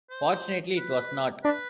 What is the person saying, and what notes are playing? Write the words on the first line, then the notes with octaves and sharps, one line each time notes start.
Fortunately, it was not.
C5
B4
D4 B4